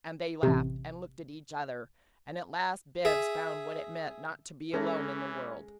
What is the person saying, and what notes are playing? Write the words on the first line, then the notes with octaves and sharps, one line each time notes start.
And they laughed and looked at each other, and at last Bibbs found what it meant not to be alone in the world.
A1 C3
G#4 E5
E3 G#3 C#4 A4 A#4 E5 A#6